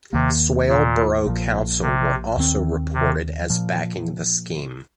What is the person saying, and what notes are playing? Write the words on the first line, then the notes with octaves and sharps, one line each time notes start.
Swale Borough Council were also reported as backing the scheme.
D#2 C3 D#3 A#3
A#2
A#1 A#2 F3
C3
D#2 D#3 C4
C3
A#2 F3